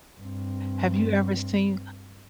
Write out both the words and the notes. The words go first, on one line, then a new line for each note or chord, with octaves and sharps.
Have you ever seen?
G2 C4